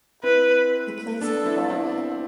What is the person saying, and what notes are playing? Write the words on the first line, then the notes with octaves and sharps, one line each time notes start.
He plays for Bari.
C4 E4 B4
B3 D4 A4
C4 E4
C4 E4